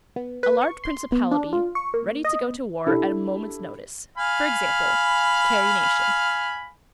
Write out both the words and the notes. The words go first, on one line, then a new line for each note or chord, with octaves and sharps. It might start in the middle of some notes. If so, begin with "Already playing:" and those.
A large principality ready to go to war at a moment's notice. For example: Carrie Nation.
B3
B4
C#6
C6
B3
D4
F4
C#6
A#3
D#5
B3
D4 E4 G4 A4
F5 G#5 B5